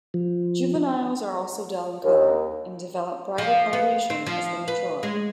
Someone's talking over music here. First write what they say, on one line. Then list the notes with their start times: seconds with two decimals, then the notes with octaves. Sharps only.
Juveniles are also dull in color and develop brighter coloration as they mature.
0.14 F3
2.03 D#2
3.38 F3
3.73 B3
4.10 C4
4.26 F3
4.68 B4
5.03 G#3